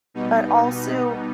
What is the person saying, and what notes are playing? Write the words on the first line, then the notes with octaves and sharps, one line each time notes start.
but also
B2 G3 B3 D#4
D#4